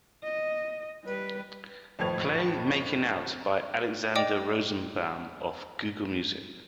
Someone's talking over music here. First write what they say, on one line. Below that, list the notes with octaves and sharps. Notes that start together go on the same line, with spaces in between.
Play Making Out by Alexander Rosenbaum off Google Music.
D#5
G3 B4
G#1 F2 A2 B4 G#6 F7
D5 D#5 G5 D6